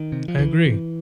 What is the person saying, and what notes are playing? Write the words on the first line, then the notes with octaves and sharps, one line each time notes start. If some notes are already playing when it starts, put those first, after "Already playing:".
I agree.
Already playing: D#3
C3
F3
C2 E3
C3